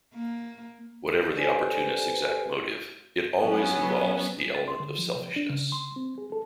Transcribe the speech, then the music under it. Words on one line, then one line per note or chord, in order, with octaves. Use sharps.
Whatever the opportunist's exact motive, it always involves the element of selfishness.
A#3
G4 A4 B4 C5 D5 G#5
F#3 B3 C#4
A6
C6
D3
F3
C3
D4
C#3
C6
C4
G#4
A4